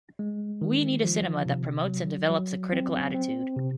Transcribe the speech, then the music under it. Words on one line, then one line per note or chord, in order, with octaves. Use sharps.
We need a cinema that promotes and develops a critical attitude.
G#3
D#3
F3
C3
F#3
F#3
C4
C4
C3